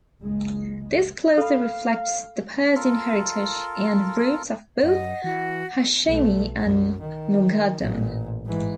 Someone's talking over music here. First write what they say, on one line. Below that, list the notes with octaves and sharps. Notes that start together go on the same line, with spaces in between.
This closely reflects the Persian heritage and roots of both Hashemi and Moghaddam.
F#1 C#2 G#3
A4 F5 B5
F4 A4 A#4
F#2 D#5 F#5
E3 F#4
B1 A3
F#2
D#3
A1 A#2
G#2 E3